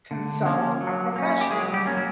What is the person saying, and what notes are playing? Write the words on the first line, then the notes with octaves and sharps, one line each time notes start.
consult a professional.
D3
F3 A#3 C#4
F#3
A#3 C#4
G4
F#3 G#3 G#4
G3 G4
A#3 C#4
F#3